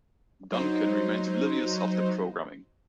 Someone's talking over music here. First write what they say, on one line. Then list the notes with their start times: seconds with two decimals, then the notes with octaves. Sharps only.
Duncan remains oblivious of the programming.
0.52 F#3 D#4 C5